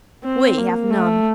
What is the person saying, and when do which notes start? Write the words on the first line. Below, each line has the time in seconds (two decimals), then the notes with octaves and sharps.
We have none.
0.24 C4
0.58 A#3
0.90 A3